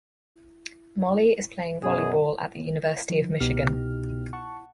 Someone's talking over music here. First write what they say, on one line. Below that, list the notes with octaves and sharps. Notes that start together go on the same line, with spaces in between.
Molly is playing volleyball at the University of Michigan.
F#2 B2 G#4
D#3 F3
C2 B2 B3 D#4 G4 F6
F#5 A5 C#6